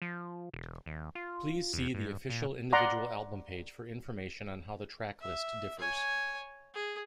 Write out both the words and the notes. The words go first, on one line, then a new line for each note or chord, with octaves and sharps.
Please see the official individual album page for information on how the tracklist differs.
F3
E1
D#2
F4
E2
G2
A#2
D5 F#5 A#5 C6 D6
E5
C#5 G#5
G#4